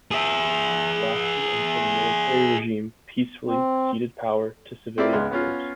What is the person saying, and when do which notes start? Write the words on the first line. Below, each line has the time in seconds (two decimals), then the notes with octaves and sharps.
The dictatorship lasted until the military regime peacefully ceded power to civilian rulers.
0.11 G#4 E5
3.47 C4
4.98 C4 E4 F4 G4 A#4 D5
5.13 C#2 G#3 B3 C6 F6
5.31 B3 C#4 F4